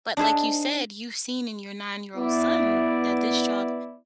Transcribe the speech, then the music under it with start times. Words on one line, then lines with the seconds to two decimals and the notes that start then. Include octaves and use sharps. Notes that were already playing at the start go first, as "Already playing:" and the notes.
But like you said, you've seen in your nine-year-old son that this job
0.17 D4 D#4 G#4 C5 E5
2.16 B3 E4 D5